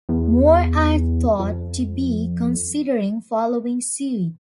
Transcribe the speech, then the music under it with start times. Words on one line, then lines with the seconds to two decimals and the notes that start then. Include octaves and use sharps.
More are thought to be considering following suit.
0.09 E2
1.39 F2